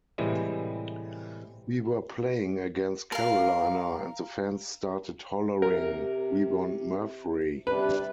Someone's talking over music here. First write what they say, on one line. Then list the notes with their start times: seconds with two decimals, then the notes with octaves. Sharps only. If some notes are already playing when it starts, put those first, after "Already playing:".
We were playing against Carolina, and the fans started hollering, 'We want Murphrey.
0.18 A2 C3 E3 G3 G#3
3.12 A#4 F5
5.62 C3 A#4
7.67 C3 G3 D4 B4